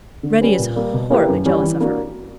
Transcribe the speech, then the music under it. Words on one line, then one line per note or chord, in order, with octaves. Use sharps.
Reddy is horribly jealous of her.
D3
G3 C#4 G4 B4
A#2
G3 A#3
B2
A#3 E4 G4 B4
F#2
E3 G3 C#4 G4
E3
A#3 D4 F#4